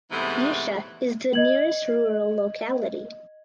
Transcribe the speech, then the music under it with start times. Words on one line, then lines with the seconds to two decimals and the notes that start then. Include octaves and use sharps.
Yusha is the nearest rural locality.
0.11 G#2 C3 E3 A3 B3
1.33 D#5 G#6 F#7